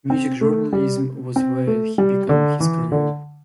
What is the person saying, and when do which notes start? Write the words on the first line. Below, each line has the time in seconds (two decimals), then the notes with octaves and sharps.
Music journalism was where he began his career.
0.10 C4
0.41 A3
0.73 G3
1.36 C4
1.67 A3
1.98 G3
2.29 D3
2.60 E3
2.92 D3